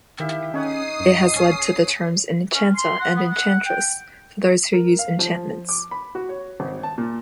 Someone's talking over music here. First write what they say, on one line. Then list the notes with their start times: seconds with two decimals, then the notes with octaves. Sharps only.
It has led to the terms "enchanter" and "enchantress", for those who use enchantments.
0.20 D#3 E4 G4 E5 F5
0.54 C#4 D#4 G#4 C#5 F#5 D#6 C7
1.00 F#2
1.36 D1 C#4 G#4
2.53 C#4
2.75 C6
3.00 F#5
3.15 B3
3.31 F#5
3.65 G5
4.73 A#4
4.99 F5
5.19 F3
5.69 D6
5.91 B5
6.15 F#4
6.29 C#5
6.60 G#1
6.83 A5
6.98 A#2